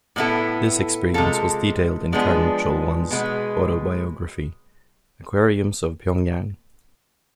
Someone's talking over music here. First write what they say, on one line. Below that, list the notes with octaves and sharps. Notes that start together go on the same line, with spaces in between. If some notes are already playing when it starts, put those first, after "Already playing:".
This experience was detailed in Kang Chol-Hwan's autobiography "Aquariums of Pyongyang".
A2 G#3 B3 E4 A4
C3 G#3 C4 F4 A4
F3 G#3 B3 D4 G#4
B2 G#3 B3